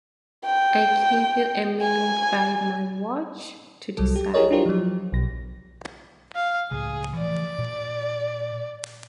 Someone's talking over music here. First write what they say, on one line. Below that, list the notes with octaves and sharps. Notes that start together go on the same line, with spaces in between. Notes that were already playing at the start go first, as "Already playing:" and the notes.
I give you a minute by my watch to decide.
G5
G#5
C2 F#3 G3 A4
G4
E4 G4 G#4 A#4 C#5 D#5
D4 E4 F4 G4 A#4 C5
F3 F#3
B1 B2 A#6
F5
C#2 A2 C#3 G#4
E3 F3 A3 D5
A#2